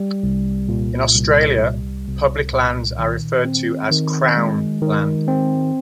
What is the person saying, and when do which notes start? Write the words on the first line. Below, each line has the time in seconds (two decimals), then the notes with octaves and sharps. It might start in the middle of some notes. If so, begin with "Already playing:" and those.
In Australia, public lands are referred to as Crown land.
Already playing: G3
0.23 C2
0.69 A#2
1.15 C2
1.60 G3
2.07 C2
2.53 A#2
2.98 D#3
3.45 C4
3.91 D#3
4.37 G#3
4.82 D#3
5.28 C4